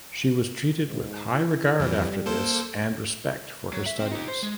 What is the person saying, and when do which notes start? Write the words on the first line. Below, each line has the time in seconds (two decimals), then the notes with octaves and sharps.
She was treated with high regard after this and respect for her studies.
0.85 G#2
1.34 E4
1.80 F2 E3 G3
2.26 A#3 A4 C5
3.73 F#3
3.86 E5
4.00 C4
4.12 D#4 G4
4.28 C5
4.43 G#3